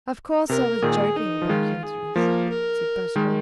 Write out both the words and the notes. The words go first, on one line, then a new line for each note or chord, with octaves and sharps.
"Of course I was joking about interest," said Butterwell.
C3 A#4
A#2 D#3 G#4
D#4
F3
D#3 G#3 F4
G#4
F3 A#3 A#4
A#4
D#3 G#3